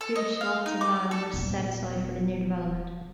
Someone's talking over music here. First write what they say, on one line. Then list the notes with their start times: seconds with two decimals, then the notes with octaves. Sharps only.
Huge swathes of land were set aside for the new development.
0.01 A4
0.16 D#5
0.41 F5
0.66 D#4
0.81 D6
1.11 A4
1.34 D#1 B3